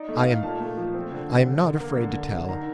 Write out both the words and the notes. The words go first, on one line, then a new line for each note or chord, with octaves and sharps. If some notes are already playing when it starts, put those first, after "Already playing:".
I am--I am not afraid to tell.
Already playing: D#4 D5
A3
F5
D#4
A#2 A5
A3
F3
C4
D3
D3
D3
D3
A#3
D3
D3
D3
D#3 A#5